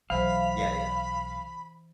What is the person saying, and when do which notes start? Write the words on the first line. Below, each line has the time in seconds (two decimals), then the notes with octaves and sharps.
Yeah, yeah.
0.10 B1 E3 C5 F5 B5